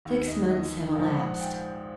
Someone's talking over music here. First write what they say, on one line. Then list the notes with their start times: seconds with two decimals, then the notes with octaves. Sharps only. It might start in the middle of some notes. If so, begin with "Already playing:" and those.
SIX months have elapsed.
0.05 D#2 D#3
0.28 D#5
0.51 D#5
0.95 A#1 G#2 F3 F5
1.18 F#5
1.30 F#5
1.41 G5